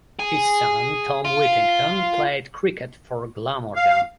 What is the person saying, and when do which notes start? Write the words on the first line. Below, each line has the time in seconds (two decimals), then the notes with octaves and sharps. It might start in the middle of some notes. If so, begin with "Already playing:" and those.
His son Tom Whittington played cricket for Glamorgan.
0.20 G#4
1.25 F4
3.76 F5